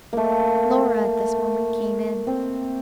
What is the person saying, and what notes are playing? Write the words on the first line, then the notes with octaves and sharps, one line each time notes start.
Laura at this moment, came in.
A3 A#3
C4